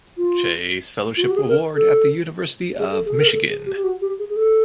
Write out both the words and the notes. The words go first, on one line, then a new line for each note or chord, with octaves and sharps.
Chase Fellowship Award at the University of Michigan.
F4
F4
F#4
G4
G#4
A#4
A4
G#4
A4
G#4
A4
A#4
G#4
A4
G#4
G4
G4
F#4
G4
G#4
G#4
A4